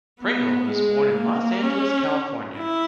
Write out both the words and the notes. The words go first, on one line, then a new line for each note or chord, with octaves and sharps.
Pringle was born in Los Angeles, California.
B3
G#3
A#3
C#4
E4